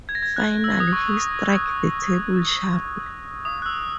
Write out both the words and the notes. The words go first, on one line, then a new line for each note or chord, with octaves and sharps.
Finally he struck the table sharply.
G#6
A#6
G#6
F#6
E6
D#6
C#6
D#6
F#6
E6